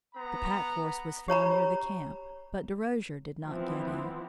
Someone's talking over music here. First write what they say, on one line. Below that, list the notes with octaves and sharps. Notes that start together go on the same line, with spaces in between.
The pack horse was found near the camp, but Derosier did not get in.
B3 A#5
G4 C#5 A#5 B5
E3 F3 B3 C4 E4